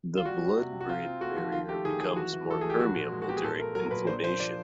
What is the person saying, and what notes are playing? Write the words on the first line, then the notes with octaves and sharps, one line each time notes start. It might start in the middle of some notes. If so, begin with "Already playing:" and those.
The blood-brain barrier becomes more permeable during inflammation.
F4
G3 F#4
G3
C3
C3
F#4
C4 F4
C4
A3 F#4
F3 F#4
D#3 F4
A3 G4
D#3 G#4
F#3 G#4
E3 F#4
E3
E3 A4
A3 G#4
G4
F3 F#4
A#2
G#3
F#4
B3 G4
G#4
A#2 A4
A3 A#4
F#3 A#4
A#4
A#2 B4
D4 C5
F3 C5
F3 D5